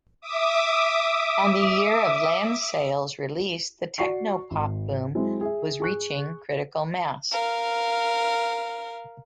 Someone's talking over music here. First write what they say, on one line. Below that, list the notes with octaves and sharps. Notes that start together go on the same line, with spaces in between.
On the year of "Landsale"'s release, the technopop boom was reaching critical mass.
E5 D6 D#6
F#4 D5 C#6 C7
G#1
F#3 G#3 C4 E4
G#4 E5
G#4 C#6 F#6
A#4 F5